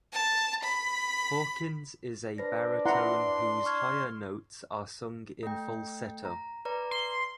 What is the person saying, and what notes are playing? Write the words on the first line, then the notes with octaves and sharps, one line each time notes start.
Hawkins is a baritone whose higher notes are sung in falsetto.
A5
B5
D4 B4 C5 A#6
E4 F#5 A#5 C6
C#6 F6 G#6
A3 G5
A#5
B4 D5 A#5
C6